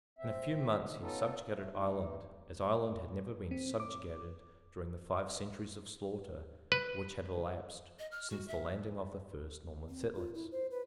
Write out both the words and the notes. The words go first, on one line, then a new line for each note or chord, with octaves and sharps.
In a few months he subjugated Ireland, as Ireland had never been subjugated during the five centuries of slaughter which had elapsed since the landing of the first Norman settlers.
C4 E5
B3 C#4 D#4 F4 A4
A3
A3 D#4
C4
D6
B4
D#5
F6
F#4
E5
C4
F4
E4
C5
B4